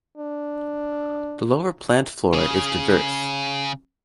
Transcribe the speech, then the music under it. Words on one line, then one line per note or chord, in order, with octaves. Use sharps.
The lower plant flora is diverse.
D4
C#3 G#4